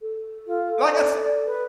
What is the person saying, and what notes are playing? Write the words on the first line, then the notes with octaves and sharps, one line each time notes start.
like I s
A4
F4
D5
B4